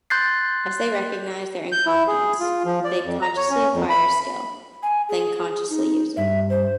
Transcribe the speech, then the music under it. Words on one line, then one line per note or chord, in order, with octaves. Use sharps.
As they recognize their incompetence, they consciously acquire a skill, then consciously use it.
C6 F#6 G6 A6 C7
G6
E4
G#4
F4
F3
D5
F2
A#5
C#5
C#4
F2
B5
G#5
G#4
D#4
G2 E5
C5